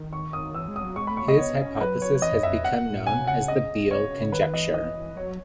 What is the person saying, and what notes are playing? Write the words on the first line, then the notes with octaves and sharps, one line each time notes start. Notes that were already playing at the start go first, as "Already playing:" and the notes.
His hypothesis has become known as the Beal Conjecture.
Already playing: D#3
C#6
D#6
E3 E6
G#3
D#6
F#3
G#3 C#6
B5
A3
C#6
A3 D#5
B3 C#5
C#4
F#3 B4
C#5
E3 D#5
F#2
F#2 E5
E2
F#5
A2
B2 G#5
C#3 F#5
D#5
C#5
D#3 B4
B4
E3 D#5
D#5
F#3 C#5